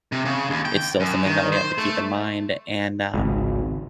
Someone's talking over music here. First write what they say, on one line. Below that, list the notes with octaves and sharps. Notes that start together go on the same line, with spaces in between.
it's still something that we have to keep in mind, and, um,
C3
C#3
D#2
G5
F#2
D#3
C5
A3
G#1 C#2